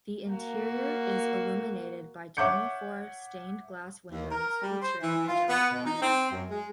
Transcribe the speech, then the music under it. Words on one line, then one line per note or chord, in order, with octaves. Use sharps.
The interior is illuminated by twenty-four stained glass windows featuring angelic choirs.
A#3 F#4
C#5 E5 F#5 D6 G6 C#7
D#2
A#4
G3
C5
E3
F4
B3
B2
D#4
C4
F#2
G#3